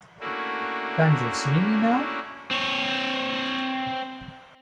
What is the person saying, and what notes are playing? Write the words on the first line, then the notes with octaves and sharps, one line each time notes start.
Can You See Me Now?
A3 A#3 C#4 D4 E4 F#4
C4 C#5